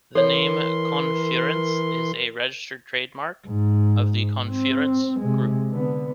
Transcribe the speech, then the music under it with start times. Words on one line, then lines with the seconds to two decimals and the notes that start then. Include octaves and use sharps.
The name ConFurence is a registered trademark of the ConFurence Group.
0.15 E3 A4 A#4 C#5 C6
3.46 G#2
4.50 C4
5.20 C3 G#3
5.69 D3 B3